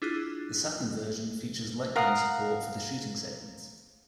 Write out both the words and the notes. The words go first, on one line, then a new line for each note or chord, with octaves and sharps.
The Saturn version features light gun support for the shooting segments.
D4 E4 F4 G#4 F#6
A#4 F5 F#5 D#6